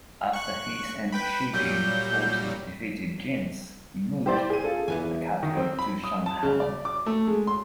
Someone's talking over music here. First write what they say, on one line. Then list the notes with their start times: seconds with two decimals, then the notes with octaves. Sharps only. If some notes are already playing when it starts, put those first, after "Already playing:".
After his and Shi Le's forces defeated Jin's, he moved the capital to Chang'an.
0.33 C#6 F#6
1.12 B4 G5 B5
1.53 A#2 F#3 G3 G6
4.26 E4 G4 C5 D5
4.50 G#4 D#7
4.64 F4 A4
4.88 E2 E3 B3 G#5
5.43 D#3
5.57 C4
5.79 B5
6.04 D#6
6.26 A5
6.43 C#3
6.60 D5
6.85 D6
7.06 A3
7.27 G#3
7.47 C6